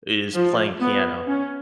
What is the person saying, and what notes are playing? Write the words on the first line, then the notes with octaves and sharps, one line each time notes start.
is playing piano.
F3
B3
C#4